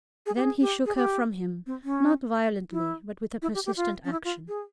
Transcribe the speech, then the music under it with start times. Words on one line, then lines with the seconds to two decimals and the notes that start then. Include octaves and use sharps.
Then he shook her from him, not violently, but with a persistent action.
0.26 G#4
0.37 G4
0.43 G#4
0.61 G4
0.86 G#4
0.96 G4
1.66 C4
1.84 C#4
2.71 E4
3.42 E4
3.55 G4
3.66 G4
3.77 F4
4.05 C#4
4.12 E4
4.24 F4
4.48 G#4